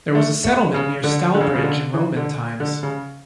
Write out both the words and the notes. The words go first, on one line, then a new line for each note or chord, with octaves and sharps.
There was a settlement near Stalbridge in Roman times.
A3
A3
C#3
D3
D3
C#3
C#3
D3
E3
D3
D3
C#3